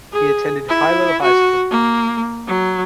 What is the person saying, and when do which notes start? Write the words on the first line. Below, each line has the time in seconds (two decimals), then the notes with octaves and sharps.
He attended Hilo High school.
0.12 G#4
0.69 E4
1.22 F#4
1.71 A#3
2.47 F#3